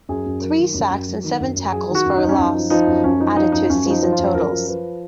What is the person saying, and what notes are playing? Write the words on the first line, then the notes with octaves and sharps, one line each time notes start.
Three sacks and seven tackles for a loss added to his season totals.
F#2 G#4
F#2
F#3 A#4
D#3
F#2
F#2
F#3
D#3
F#2
F#2
F#3 G#4
D#3
F#4
F#2
D#4
F#2
C#4
F#2 D#4
F3
F3 D#4
F#2
F#2 C#4
F3 D#4
F3 D#4
F#2 D#4
F#2 C#4
F3 D#4
F3
F4
F#2
F#2 A#4
F3
F3 B4